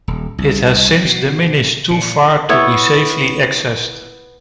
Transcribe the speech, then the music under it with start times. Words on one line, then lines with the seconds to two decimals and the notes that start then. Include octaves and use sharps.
It has since diminished too far to be safely accessed.
0.08 D#1
0.38 C2
1.05 B2
1.91 A#2
2.49 B3 E4 C#5 E5